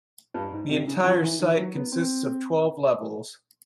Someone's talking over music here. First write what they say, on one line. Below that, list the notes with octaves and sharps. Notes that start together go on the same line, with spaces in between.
The entire site consists of twelve levels.
G2
G#2
C3
C#3
F3
E3
D#3
F#3
B3
C4